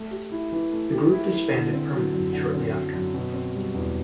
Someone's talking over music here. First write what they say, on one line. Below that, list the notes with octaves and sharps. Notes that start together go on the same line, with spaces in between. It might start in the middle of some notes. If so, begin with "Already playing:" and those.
The group disbanded permanently shortly after.
Already playing: A3
G4
E4
E3
A3
G4
E4
E3
D3
C4
F#3
F#2
D3
C4
F#3
F#2
B2
C4
G3
E2